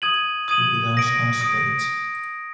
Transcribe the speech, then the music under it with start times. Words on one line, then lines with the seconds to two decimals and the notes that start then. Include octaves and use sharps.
He belongs on stage!
0.02 D#6 G#6 D#7 F#7
0.48 D#6 G#6 D#7 F#7
0.94 D#6 A#6 D7
1.41 D#6 A#6 D7